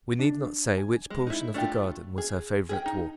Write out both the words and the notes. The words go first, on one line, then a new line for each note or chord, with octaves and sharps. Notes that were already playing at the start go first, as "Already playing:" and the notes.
We need not say which portion of the garden was her favorite walk.
D4
G#5
G#3
D#4 E4
A3 D4 F4 G4
G#4
G#4 B4 G5
D#4